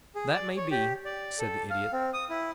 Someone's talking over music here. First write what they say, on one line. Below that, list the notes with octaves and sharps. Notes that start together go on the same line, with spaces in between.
"That may be," said the Idiot.
G#4
D5
C#5
G4
D5
A4
F5
C4
D#6
E4